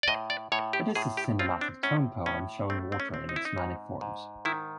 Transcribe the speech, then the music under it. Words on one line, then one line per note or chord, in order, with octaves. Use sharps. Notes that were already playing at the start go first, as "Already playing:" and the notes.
It is a cinematic tone poem showing water in its many forms.
D5
A2 D#5
D5
A2 C#5
G4
A2 G#4
G4
C4 F4
D4
A2 C#4
A2 C#4
A3 C4
C4
C#4
C4
D#4
E4
D#4
G#2
G#2
D#3 E4